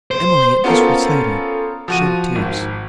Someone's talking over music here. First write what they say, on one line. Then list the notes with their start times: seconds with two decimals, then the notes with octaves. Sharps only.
Emily, at this recital, shed tears.
0.11 C5
0.64 B3 C#4 F4 A4 A#4 C5
1.88 F3 F#4 D#7
2.35 G#1